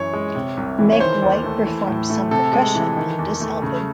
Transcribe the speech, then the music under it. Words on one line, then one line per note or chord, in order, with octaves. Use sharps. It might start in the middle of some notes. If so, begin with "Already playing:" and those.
Meg White performs some percussion on this album.
Already playing: F#2 E3 C#5
G#3
C3
C2
E3
C#5
D#3 C5
D#2
A3
E3
A2
A3
C3 A4
G#3
E3
D#3
E2
A3
C#3